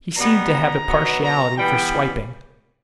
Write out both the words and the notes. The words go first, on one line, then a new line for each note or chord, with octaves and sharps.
He seemed to have a partiality for swiping.
B2 G3 B3 A#5
A#5
B2 F#3 B3
A#5
E3 G3 B3 G5